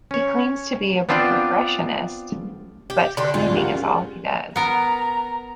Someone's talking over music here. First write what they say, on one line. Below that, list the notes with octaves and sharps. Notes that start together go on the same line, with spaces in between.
He claims to be a progressionist, but claiming is all he does.
C#4 C#5
B3 C4 D4 F4 C5 D5
G4
D3 G4 B5 C6
D2 G#2 C4 F4
G4 A#4 F#5
G#3 C#4
B3 A#4 A#5